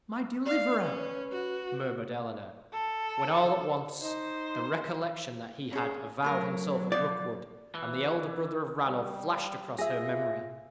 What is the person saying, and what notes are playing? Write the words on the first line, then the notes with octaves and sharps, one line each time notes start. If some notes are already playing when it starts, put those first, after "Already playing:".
"My deliverer!" murmured Eleanor; when all at once the recollection that he had avowed himself a Rookwood, and the elder brother of Ranulph, flashed across her memory.
D5 F5
C#4 B4
F#4
A4
D#4 C5
C#4 G#4
C#3 F#3 A3 A#4
B2 F3 D5
E3
G3
F4 G#4 E5 A#6